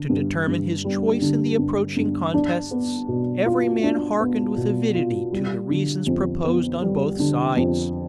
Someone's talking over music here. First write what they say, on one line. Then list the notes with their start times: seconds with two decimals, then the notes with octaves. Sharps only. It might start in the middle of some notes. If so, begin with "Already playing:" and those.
To determine his choice in the approaching contests, every man hearkened with avidity to the reasons proposed on both sides.
Already playing: D3
0.09 G2
0.47 G2
0.84 G3
1.21 D3
1.59 G2
1.96 G2
2.34 D4
2.71 B3
3.08 B2
3.46 F4
3.83 D4
4.20 B3
4.57 B2
4.95 F4
5.32 G3
5.70 D3
6.07 F2
6.44 B3
6.82 G3
7.19 D3
7.57 F2